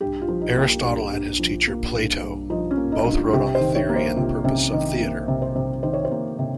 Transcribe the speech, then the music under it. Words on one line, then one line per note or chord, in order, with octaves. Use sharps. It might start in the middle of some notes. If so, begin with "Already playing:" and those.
Aristotle and his teacher Plato both wrote on the theory and purpose of theatre.
G2 G4
F4
F3
D#4
A#3 G4
F4
G2
G2
F3
A#3
G2
G2
F3 D#4
C#4
A#3
D#4
G2
F4
C3 G4
C5
D#3
C#5
A#3
C5
C3 F4
C3 C#4
D#3 D#4
A#3
C3
C5
C3
D#3 C5
C#5
C5
A#3
C3